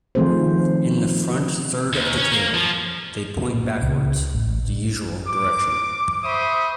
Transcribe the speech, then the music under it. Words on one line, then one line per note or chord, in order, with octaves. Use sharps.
In the front third of the tail, they point backwards, the usual direction.
D#3 F3 A3 C4 G#4 C5
D#2
C#4
A#3
F3
A#2
C#2
A1
D6
C5 E5 B5 C#6 D#6